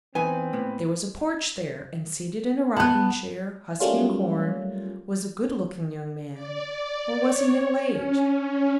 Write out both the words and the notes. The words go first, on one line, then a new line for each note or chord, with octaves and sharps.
There was a porch there, and seated in a rocking-chair, husking corn, was a good-looking young man, or was he middle aged?
E2 C4 D#4 B4 G#5
A2 A#3 B3
B3 F#5 A5 F#6
F#3 G3 A3 A#3 C#4 F4
D5
D5
C#5
C#4